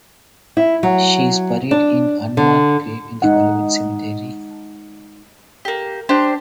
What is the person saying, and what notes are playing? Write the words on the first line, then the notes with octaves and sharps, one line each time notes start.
She is buried in unmarked grave in the Hollywood Cemetery.
E4
F#3
D4
D3
G#3 D#4 F#5
A#3 G4
D4 G4 C5